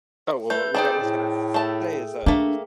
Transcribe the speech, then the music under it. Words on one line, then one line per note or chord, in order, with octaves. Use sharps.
Oh, well, what what I was gonna s say is, uh,
A3 B4 G6
C4 D4 D#4 G#4 G5
A2
A3 A5
A3 A#3 D4